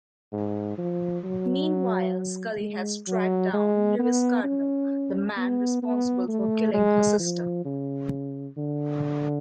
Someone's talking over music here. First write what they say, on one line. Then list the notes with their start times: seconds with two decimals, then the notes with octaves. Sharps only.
Meanwhile, Scully has tracked down Luis Cardinal, the man responsible for killing her sister.
0.33 G#2
0.78 F3
1.24 F#3
2.61 G#3
3.08 F#3
3.53 G#3
3.99 B3
4.44 C#4
5.37 B3
5.82 B3
6.28 A3
6.74 G#3
7.19 F3
7.65 C#3
8.57 D3